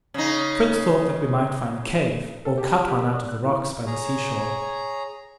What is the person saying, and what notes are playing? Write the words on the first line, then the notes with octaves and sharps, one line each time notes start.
Fritz thought that we might find a cave, or cut one out of the rocks by the sea shore.
C#3 D#4
A4
G4
F4
G4
A#4
D5
F#6
E3
G#4 C#5 A#5